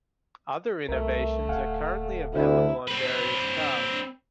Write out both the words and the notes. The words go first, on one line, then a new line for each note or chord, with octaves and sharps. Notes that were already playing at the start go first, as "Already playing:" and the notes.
Other innovations are currently available on various cars.
C2 A3 A#4 E5
D1 F5 F#5 G#5
D2 E4
C4 B4